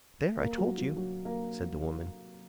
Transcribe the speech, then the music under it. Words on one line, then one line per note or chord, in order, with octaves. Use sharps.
"There, I told you!" said the woman.
A#3 A#4
F#3 F#4
F#3 F#4
F#3 F#4
A#3 A#4